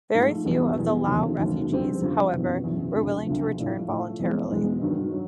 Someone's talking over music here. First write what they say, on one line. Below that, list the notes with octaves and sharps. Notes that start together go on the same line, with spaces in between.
Very few of the Lao refugees, however, were willing to return voluntarily.
G#2 F3 A3
E1 E2 B2 G3
E1 E2 B2 G3
E1 D#2 C#3 F#3 A3
E1 D#2 C#3 F#3 A3
F2 D3 G3 C4 F4
F2 D3 G3 C4 F4
F#1 E2 B2
F#1 E2 B2
D2 C3 F3
D2 C3 F3
A2 F3 A3
A2 F3 A3
E2 B2 G#3 C4
E2 B2 G#3 C4
G2 D#3 F#3
F#3